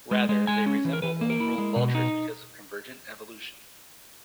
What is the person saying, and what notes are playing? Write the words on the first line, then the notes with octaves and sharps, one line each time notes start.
Rather, they resemble Old World vultures because of convergent evolution.
G#3
G#3
G#3 G#5
C#4
E3
A#4
E3 B4
A#3
A#4
E4
G#3
B2
D#4